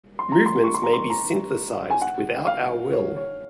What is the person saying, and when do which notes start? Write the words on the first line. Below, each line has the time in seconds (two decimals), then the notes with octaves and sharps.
Movements may be synthesized without our will.
0.19 C6
0.32 A#5
0.46 C6
0.64 C#6
0.74 C6
0.83 A#5
0.93 C6
1.10 A#5
1.90 G#5
2.02 F#5
2.47 F5
2.92 C#5
3.17 C#5